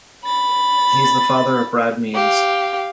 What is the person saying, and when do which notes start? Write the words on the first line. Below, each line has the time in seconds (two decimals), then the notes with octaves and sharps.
He is the father of Brad Means.
0.24 B5 A6
2.14 G4 F5